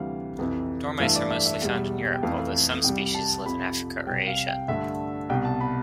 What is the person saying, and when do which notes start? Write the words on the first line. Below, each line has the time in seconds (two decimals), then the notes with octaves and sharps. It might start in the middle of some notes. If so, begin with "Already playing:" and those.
Dormice are mostly found in Europe, although some species live in Africa or Asia.
Already playing: D2 C3 E3 G3 F5
0.39 F2 C3 E3
1.00 G2 E3 A3 F5
1.16 D5
1.31 E5
1.46 E5
1.62 E2 B2 G3
2.14 G5
2.23 F2 E3 A3 F5
2.84 C2 C3 G3 G5
3.15 A5
3.46 F2 C3 F3 B5
4.06 G3 G5
4.10 C2 C3
4.27 F5
4.48 G5
4.68 G2 D3 A3 E5
5.30 C2 B2 G3 G5
5.45 A5
5.61 B5